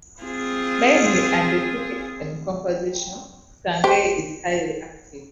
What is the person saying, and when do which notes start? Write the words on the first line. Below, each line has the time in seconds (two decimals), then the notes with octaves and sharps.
Mainly andesitic in composition, Sangay is highly active.
0.22 C4 F4 G#4
3.84 G4 C5